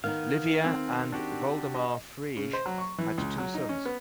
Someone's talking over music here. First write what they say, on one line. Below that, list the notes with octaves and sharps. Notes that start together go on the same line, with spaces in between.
Livia and Woldemar Frege had two sons.
D#3 B3 D#4 F5
C4
D4 F#4 G4
D#5
C#3
C5
F#3
C#6
E3
C#2
F#3
D#4
C#4
B3